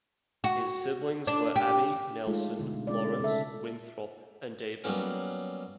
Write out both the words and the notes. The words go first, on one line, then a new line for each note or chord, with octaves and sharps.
His siblings were Abby, Nelson, Laurance, Winthrop, and David.
F#4
D4
G4
G#3 A3 D#4 F4 A4
B2 D3
B2
G#3 C#4 D5
C#3 A4 E5
F#3 G3 A#3 B3 C#4